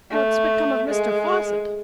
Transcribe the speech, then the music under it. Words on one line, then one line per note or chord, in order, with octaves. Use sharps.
"What's become of Mr Fosset?"
A3
G#3